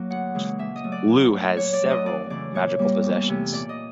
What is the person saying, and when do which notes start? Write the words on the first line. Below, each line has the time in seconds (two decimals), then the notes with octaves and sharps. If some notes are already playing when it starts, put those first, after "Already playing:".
Lugh has several magical possessions.
Already playing: F#3 A#3
0.10 D2 F#5
0.35 C#3 E3 G#3
0.59 A#2 E5
0.76 D#5
0.83 F#3 A3
0.92 D5
1.08 A2
1.33 F#3 A3
1.57 A#2 C#5
1.73 D5
1.82 F#3 A3
1.90 D#5
2.06 F2 D5
2.30 C#3 E3 A3 D5
2.55 A#2 C#5
2.79 G3 A#3
3.03 E2
3.29 C3 E3 A3
3.52 A#2 D5
3.69 D#5